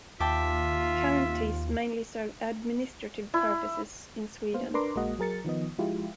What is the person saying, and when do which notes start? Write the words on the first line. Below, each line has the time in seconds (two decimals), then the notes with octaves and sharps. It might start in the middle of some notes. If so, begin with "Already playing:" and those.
Counties mainly serve administrative purposes in Sweden.
0.20 D#2 F4 E5 G5 A5 D6
3.34 E4
4.53 A#3 B3 C5 F5
4.74 D4 A#4 B4 A#5 C6 D6
4.95 A#1 G#3 A#3 F#4 D#5 F#5
5.19 F#3 G#4 A#4 A6 C#7
5.45 D#3 F3 B3 D#5
5.78 F3 G#3 E4 F4 G4